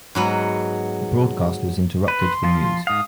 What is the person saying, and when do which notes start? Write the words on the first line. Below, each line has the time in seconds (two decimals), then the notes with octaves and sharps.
The broadcast was interrupted for news.
0.15 G#2 F#3 B3
2.08 B4
2.20 C6
2.43 F3 F4
2.87 G#2 F5 D#6